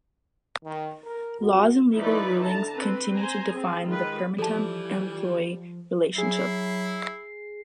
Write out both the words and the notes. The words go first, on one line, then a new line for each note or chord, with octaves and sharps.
Laws and legal rulings continue to define the permatemp-employee relationship.
D#3
A#4
F2 F#4
F3 D#4 E4 B4 D5
D3 A5 A#5
C4 B4
C5 G#5 A#5
C4 G#4
D#3 G#3 F4 B4
E3 F3 G3 A4 A5
F#3 E4 G#4 C7